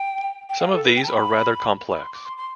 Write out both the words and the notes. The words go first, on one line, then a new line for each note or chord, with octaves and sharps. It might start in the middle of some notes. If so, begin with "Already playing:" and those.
Some of these are rather complex.
Already playing: G5
G5
F5
A4
B4
G5
A5
B5
B5
C6
D6
C6
C6